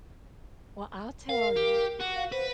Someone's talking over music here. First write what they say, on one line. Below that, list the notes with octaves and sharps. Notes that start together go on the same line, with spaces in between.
Well, I'll tell ya.
A#4 F5
G4
F#4
F5
B4 C5